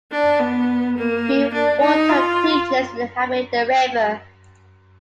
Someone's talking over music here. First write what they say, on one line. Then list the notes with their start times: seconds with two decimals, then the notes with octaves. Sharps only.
Few water creatures inhabit the river.
0.12 D4
0.40 B3
0.97 A#3
1.53 D4
1.81 D#4
2.09 F4